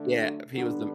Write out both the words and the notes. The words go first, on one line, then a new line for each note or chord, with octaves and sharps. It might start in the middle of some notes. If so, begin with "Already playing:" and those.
Yeah, he was the m
Already playing: D3 A3 D4
F#3 F#4
D3 F#3 G3 B3 D4 F#4